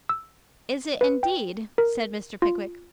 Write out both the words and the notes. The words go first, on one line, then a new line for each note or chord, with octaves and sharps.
'Is it, indeed?' said Mr. Pickwick.
E6
B4
G5
A#4
F4